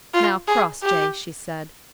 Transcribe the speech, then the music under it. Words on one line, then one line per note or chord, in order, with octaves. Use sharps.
"Now, Crossjay," she said.
F4
G#4
G4